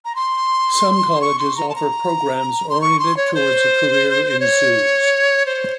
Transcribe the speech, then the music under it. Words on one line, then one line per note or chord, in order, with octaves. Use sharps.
Some colleges offer programs oriented towards a career in zoos.
A#5
C6
C#6
C6
A#5
A5
A#5
C6
C#6
C6
C#5
C5
C#5
C5